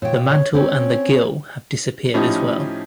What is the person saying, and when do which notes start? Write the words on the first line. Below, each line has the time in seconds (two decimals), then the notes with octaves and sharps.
The mantle and the gill have disappeared as well.
0.02 A#2 C#5 G5
0.26 C#5
0.54 C4 C#4 C#5
2.14 A2 F3 C#4 D#4 G4